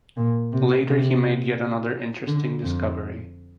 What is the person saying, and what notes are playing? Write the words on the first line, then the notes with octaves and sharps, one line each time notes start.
Later he made yet another interesting discovery.
A#2
C3
C3
D3
F2